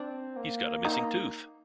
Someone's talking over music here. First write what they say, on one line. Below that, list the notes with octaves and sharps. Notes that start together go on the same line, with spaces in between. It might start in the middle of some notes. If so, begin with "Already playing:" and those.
He's got a missing tooth!
Already playing: C4 D4
A#3
D#4